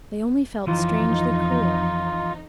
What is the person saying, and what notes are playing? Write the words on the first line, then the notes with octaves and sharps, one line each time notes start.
They only felt strangely cool!
F2 E3 F3 D#4 F4